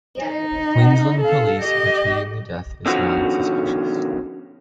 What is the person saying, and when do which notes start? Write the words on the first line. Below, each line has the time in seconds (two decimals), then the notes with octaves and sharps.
Queensland Police are treating the death as non-suspicious.
0.20 D#4
1.21 A4 F5
1.60 G4 D#5
2.85 B2 D3 D#3 F3 C#4 F#4